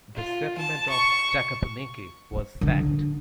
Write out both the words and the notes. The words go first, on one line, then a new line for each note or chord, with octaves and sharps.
The settlement of Takapuneke was sacked.
F4
A5
C#6
D3 D4